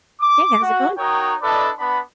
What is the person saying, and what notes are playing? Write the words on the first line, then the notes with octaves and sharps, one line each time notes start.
Hey, how's it going?
D6
F#4
D#4 F#4 A#4 C#5 G5 D#6
D4 E4 A4 B4 D5 D#5
B3 D4 B5